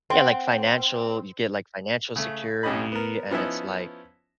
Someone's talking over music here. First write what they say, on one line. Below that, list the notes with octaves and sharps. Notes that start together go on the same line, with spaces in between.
Yeah like financial you get, like, financial security, and it's like
C4 F#5 C6
C#3 A3
B1 F2 C#4 G4 D#5 B5
B3 A#4
F3 B3 C#4 D#4 E4 E5